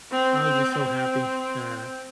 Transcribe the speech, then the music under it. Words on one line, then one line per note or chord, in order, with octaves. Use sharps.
I was just so happy. Uh,
C4
C4
C4